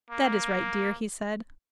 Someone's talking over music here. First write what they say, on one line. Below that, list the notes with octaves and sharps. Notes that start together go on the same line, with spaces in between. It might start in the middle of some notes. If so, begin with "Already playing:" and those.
"That is right, dear," he said.
A#3